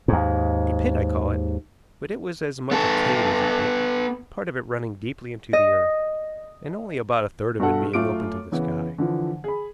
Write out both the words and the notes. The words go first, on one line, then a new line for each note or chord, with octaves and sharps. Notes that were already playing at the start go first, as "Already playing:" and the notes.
A pit I call it, but it was as much a cave as a pit, part of it running deeply into the earth, and only about a third of it being open to the sky.
D#2 G#2
B3 A4
D#5
G2 B2 D4 A4 F#5
F#2 A3 F4 D6 D7
C#3 E3 B3
D3 E3 F3
G#4 B5